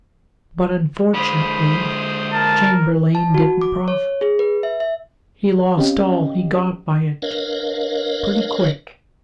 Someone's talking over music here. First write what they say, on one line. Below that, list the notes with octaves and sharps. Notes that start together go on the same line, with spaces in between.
But, unfortunately, Chamberlayne didn't profit--he lost all he got by it, pretty quick.
D3 G#3 C5 B5 D#6
A#4 A5
A5
F#4
D6
C#5
G#4
B4
E5
E5
C4 C#4 G4 D#5 F5 G5
D4 A#4 B4 C#5 D#5 F5